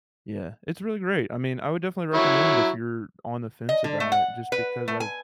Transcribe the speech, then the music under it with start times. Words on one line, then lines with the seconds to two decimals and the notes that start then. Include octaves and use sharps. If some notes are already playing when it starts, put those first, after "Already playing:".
yeah, it's really great. I mean, I would definitely recommend if you're on the fence about it, just because I've
2.14 F#3 E4 C#5
3.69 D#5
3.84 D3
4.00 A3
4.12 F#5
4.52 B4
4.88 A3
5.00 G#5